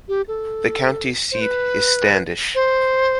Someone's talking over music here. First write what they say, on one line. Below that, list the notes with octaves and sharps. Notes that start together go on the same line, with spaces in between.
The county seat is Standish.
G4
A4
C5
B4
C5